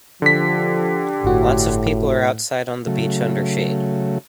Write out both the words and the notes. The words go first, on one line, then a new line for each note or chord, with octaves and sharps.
Lots of people are outside on the beach under shade.
D3 F3 G4 B6
G1 A2 F#4
C#3 F#3 A3